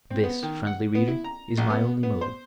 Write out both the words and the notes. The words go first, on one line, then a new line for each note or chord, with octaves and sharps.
This, friendly reader, is my only motive.
C4
B3
D#3
F#5
B3
E4
A#5
A#1
B3
B3
C5